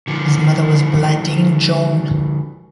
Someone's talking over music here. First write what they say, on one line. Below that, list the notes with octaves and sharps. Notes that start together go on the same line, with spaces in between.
His mother was Bladine John.
D3 F3